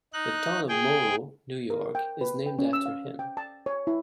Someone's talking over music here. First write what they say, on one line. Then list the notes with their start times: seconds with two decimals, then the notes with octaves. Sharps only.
The town of Moreau, New York is named after him.
0.13 D#4 F#6
0.69 G#4 G5
1.70 A#4
1.95 G5
2.21 B4
2.46 G5
2.59 C#4
2.73 E6
2.86 F5
3.19 G5
3.37 A5
3.66 C#5
3.87 E4